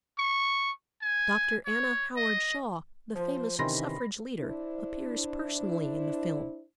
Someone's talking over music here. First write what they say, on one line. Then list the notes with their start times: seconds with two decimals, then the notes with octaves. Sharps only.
Dr. Anna Howard Shaw, the famous suffrage leader, appears personally in the film.
0.18 C#6
1.02 G#5
1.66 C#5
2.16 D#5
3.16 F3 C5
3.59 C3 D#3 E3 C#4 B5 C6 A#6
4.39 D4 E4 C5